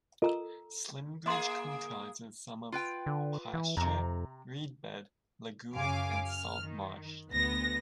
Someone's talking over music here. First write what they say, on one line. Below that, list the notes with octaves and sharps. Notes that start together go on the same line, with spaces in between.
Slimbridge comprises some of pasture, reed bed, lagoon and salt marsh.
F4 A4 A#4 D#5 A#5 E6
A#3 G#4 E5 C6
F4 B4 G5
D3
E3
F2 C3 A#5
F#2 C#3 F5 G#5 D6
F6
D#3
D2 B3 A#6